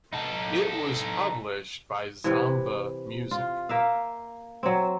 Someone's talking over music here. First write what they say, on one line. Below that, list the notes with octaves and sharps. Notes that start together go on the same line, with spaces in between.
It was published by Zomba Music.
D#4 A4
C3 E3
F4
A#3 E5 F5
F#3 C4